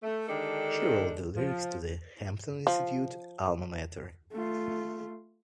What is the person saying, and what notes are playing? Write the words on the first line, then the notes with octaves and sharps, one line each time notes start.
She wrote the lyrics to the Hampton Institute "alma mater".
A3
D3 D#3 G#3 D4 G4 A4
F3
F3
A3 F4